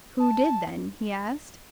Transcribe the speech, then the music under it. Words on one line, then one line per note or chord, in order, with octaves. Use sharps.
"Who did, then?" he asked.
A5